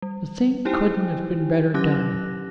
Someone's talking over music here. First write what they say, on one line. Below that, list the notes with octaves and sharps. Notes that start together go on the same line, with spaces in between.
The thing couldn't have been better done.
G3
D#4 E4 G4 C5 G5 G#5
F#3 C#4 G4 D6 F#6 A#6